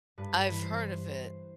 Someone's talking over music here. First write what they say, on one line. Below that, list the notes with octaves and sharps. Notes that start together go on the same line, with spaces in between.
I've heard of it.
G2 B4
B4
E3
C5